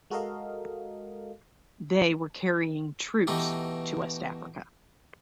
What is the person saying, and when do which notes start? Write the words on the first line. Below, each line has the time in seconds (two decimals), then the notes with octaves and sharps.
They were carrying troops to West Africa.
0.10 G#3 F#4 A4 A#4 D#5 F5
3.27 B2 E3 A3 D#4 G4